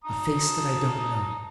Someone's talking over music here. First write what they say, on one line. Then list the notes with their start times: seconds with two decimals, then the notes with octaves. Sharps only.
A face that I don't know.
0.04 A5 A#5 D#6